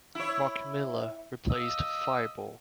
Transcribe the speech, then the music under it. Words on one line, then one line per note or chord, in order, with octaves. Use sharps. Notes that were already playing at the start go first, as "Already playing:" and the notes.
Mark Miller replaced Firebaugh.
E4 C#5
D#5 E6